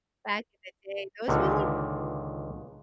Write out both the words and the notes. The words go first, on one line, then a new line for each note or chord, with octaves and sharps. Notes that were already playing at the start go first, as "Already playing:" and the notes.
back in the day, those were like
C#2 A#2 D3 D#3